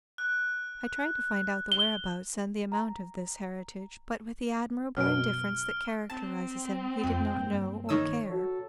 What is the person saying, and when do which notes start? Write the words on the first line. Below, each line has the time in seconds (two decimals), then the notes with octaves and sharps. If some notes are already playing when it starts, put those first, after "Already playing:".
I tried to find out the whereabouts and the amount of this heritage; but, with the admirable indifference that characterizes him, he did not know or care.
0.18 F#6
1.72 G7
2.72 A#5
4.97 F#2 B2 F6 D7
6.10 C4 A5
7.04 F2 G5
7.37 G2 A#3
7.89 D#3 C#5 D#6 E6
8.30 F#4 A4 C#5